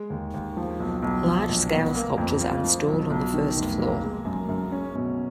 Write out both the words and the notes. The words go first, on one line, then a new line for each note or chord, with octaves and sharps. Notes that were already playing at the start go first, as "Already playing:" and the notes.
Large-scale sculptures are installed on the first floor.
Already playing: G#3
D#2
D#2
F3
B1
B1
F3
A#1
B3
A#3
F2
F4
F3
B1
B1
D#3
F1
A#3
G#3
F#2
F#2
C#4
B2